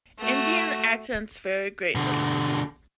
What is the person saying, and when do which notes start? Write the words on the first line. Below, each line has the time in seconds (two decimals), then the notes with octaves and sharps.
Indian accents vary greatly.
0.19 A3 F#4
1.95 B2 D3